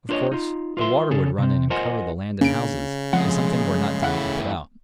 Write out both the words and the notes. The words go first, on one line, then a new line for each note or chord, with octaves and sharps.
Of course the water would run in and cover the land and houses, if something were not done to keep it out.
D4 F4 A#4 C5 C#5 D#5
D#4 F4
F4 B4 D5 E5 C6
C#3 C#4 G#4 A4
C3 C4
F4 A#4 C5 D#5 F#5 G#5
C#3 A#3 C#4 D4 D7
F3 G#3 A3 C4 F#5
E2 A3 E4 F5 F#5